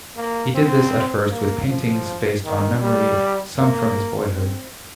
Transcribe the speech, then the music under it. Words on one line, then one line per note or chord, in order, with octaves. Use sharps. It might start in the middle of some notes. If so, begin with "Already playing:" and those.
He did this at first with paintings based on memory, some from his boyhood.
A#3
C4
A#3
F3
D#3
G3
A#3
C4